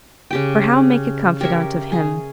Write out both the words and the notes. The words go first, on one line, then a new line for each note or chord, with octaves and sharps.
For how make a confidant of him?
C#3 G4 G5
G4 A#4 C#5 E5
G#4